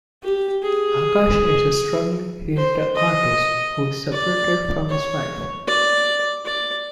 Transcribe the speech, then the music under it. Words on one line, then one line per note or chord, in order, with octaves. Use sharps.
Akash is a struggling theater artist who is separated from his wife.
G4
G#4
C5
D#5
D5
C#5
D5
D5